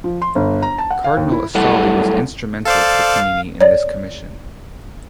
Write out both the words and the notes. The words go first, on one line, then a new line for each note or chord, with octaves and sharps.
Cardinal Astalli was instrumental for Canini in this commission.
F3
C6
G1
A#5
A5
F#5
F5
D#2
E4
F#2 G3 A3 E4 A4 F#5
A4 C5 D5 F5
C#5 D5